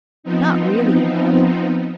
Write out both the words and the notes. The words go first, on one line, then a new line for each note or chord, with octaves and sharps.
Not really in love.
F3 B3 C4 D#4